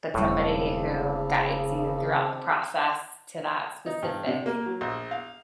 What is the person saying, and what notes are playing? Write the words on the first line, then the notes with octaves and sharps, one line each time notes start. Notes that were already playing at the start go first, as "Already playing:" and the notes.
but somebody who guides you throughout the process to that specific,
E1 A2 C#3 G3 C4 G4 A4
D#4
G2
C3
A#3
F#3
A#1
F5